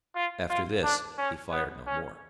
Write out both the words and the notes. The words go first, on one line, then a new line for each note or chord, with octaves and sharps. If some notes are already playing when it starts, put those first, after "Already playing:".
After this he fired no more.
F4
F4
D4
C#4
B3
C#4